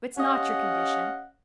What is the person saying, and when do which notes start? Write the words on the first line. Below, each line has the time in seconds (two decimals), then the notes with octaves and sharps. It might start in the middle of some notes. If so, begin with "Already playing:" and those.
It's not your condition.
0.17 C#4 G4 D#5 F5 F#5